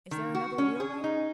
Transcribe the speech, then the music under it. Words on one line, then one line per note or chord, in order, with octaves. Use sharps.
"Is there another wheelwright?"
D#3
F#4
C#4
G#4
D#4